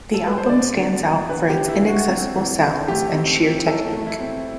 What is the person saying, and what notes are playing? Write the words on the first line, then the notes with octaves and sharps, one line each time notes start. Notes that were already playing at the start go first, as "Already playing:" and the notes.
The album stands out for its inaccessible sounds and sheer technique.
A4
B4
C5
D3 D5
D3
B3
D3 B4
G4
D3
E4
D3
F#4
C4
E3
E3
A3 G4
C4
E3
F#3 A4
A3
E4
C4